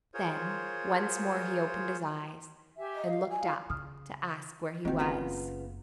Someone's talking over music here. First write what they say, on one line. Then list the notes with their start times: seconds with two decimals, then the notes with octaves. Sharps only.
Then once more he opened his eyes, and looked up to ask where he was.
0.14 F4 G#4 A#4 C5 C#5
2.77 G4 E5 G#5
2.95 D#5
3.07 F5
3.30 G#5
3.42 E4 F4 F5
3.70 C#3 D#6 F6
4.85 F#1 G#2 D#3 C4 F#4
4.99 C#3 B3 F4